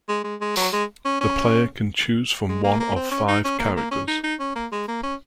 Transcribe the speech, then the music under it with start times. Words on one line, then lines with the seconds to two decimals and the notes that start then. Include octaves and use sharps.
The player can choose from one of five characters.
0.09 G#3
0.24 G#3
0.41 G#3
0.57 F#3
0.73 G#3
1.05 C#4
1.21 C#4
2.49 G#3
2.64 A#3
2.80 A#3
2.96 C4
3.11 C#4
3.28 D#4
3.45 C#4
3.59 A#3
3.76 A#3
3.91 C#4
4.08 D#4
4.24 D#4
4.40 C#4
4.55 A#3
4.72 G#3
4.88 A#3
5.03 C#4